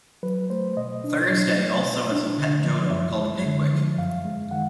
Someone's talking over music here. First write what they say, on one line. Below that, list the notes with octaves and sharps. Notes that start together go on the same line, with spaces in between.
Thursday also has a pet dodo called Pickwick.
F#3 B4
A3 C5
B2 D#5
D4
F#3
A3
B2
D4
D3
F3
F#2 E5
G#3
D3
F3
F#2 F5
G#3
D#3 F#5